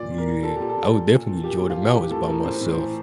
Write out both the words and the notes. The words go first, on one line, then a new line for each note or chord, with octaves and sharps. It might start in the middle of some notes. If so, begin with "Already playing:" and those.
Yeah, I would definitely enjoy the mountains by myself.
Already playing: A#2 D5
A#2
A#4
A#2
A#2 A4
A#2 G4
A4
A#2
A#2
A#2
A#2
A#2 G4
A#2
F4
A#2
F4
E3 G4
A2 A4
A2 A#4
A2 C5
A2
C5
E3